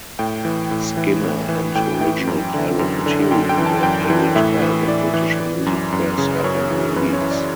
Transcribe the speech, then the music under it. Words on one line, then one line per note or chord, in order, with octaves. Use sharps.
Skinner and "Original Pirate Material" were hailed by the British music press upon release.
A2 G5
E3
A2
E3
A2
E3
A2 G5
E3 G5
F#2
D3
F#2
D3
F#2 G5
G5
E3
A5
F#2 G5
E3
A2 E5
E3
A2 D5
E3
E3
F#2
F#2
C#3
B4
F#2 C#5
E3
F#2 B4
C#5
E3
D5